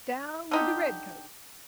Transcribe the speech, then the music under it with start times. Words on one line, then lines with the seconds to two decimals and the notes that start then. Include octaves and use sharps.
Down wid de redcoats!
0.51 D3 D#4 G4